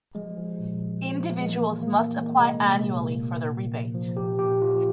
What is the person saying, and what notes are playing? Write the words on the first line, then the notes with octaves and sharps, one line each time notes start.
Individuals must apply annually for the rebate.
F3 G#3
F3
A#2
F3
F3
A#2
G#3
E3 A#3
E3
A#3
E3
E3 G#3
C3 G#3
C3 A#3
A#2 A#3
A#2
A#2
A#2
F3
F3
A#2 G4
A#2 G4
F3 F4